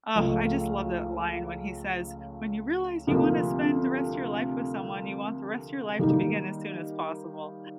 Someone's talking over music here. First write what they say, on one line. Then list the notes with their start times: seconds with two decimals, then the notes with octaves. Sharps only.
Ugh, I just love that line when he says, "When you realize you wanna spend the rest of your life with someone, you want the rest of your life to begin as soon as possible,"
0.15 C#2 C#3 F3 A3
3.07 D2 C3 F3 A#3
5.99 D#3 G3 A#3 D#4